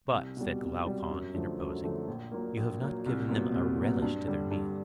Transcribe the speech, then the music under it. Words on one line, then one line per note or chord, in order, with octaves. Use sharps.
But, said Glaucon, interposing, you have not given them a relish to their meal.
C2
B2 G3
C2
B2 G3
F#2
D3 F3 A3
F#2
D3 F3 A3
A#1
A#2 F#3 A#3
A#1
A#2 F#3 A#3
C2
A#2 F#3 B3
C2
A#2 F#3 B3
G2
D3 G3
G2